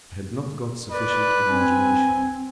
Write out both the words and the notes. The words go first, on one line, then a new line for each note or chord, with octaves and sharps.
I had not got sufficient imagination.
B4 D5
C4 G#5